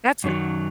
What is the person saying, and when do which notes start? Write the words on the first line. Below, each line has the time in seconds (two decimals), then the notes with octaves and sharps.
that's a
0.24 F#2 D#3 F#3